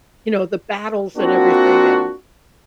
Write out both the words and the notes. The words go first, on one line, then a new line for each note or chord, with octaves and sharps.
you know, the battles and everything and
A#3 C4 D4 F4 F#4